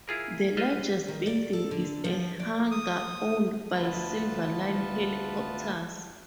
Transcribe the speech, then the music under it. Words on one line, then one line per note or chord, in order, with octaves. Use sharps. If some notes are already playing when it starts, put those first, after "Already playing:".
The largest building is a hangar owned by Silverline Helicopters.
E4 F4 G#4 A#4
F4 B4 C5 D#5
D#3
D5
A4
D3
F3
D5
D#6
D2 B3 F4 B4 A5